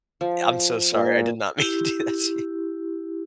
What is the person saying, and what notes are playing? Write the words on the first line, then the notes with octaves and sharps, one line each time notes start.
I'm so sorry. I did not mean to do that to you.
F3
A#2
E4 G4